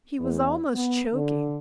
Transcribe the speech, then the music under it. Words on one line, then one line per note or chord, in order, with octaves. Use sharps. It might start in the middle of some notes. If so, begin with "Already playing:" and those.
He was almost choking.
E2
B3
D3